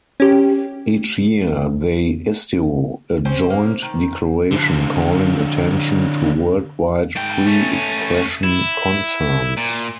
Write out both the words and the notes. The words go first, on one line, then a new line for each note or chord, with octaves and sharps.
Each year, they issue a joint declaration calling attention to worldwide free expression concerns.
C#4 G4
C4 C#4 G4 C5
A#3
D#3
D3 C4
G#2 G5
A3 C#4
E4
A#2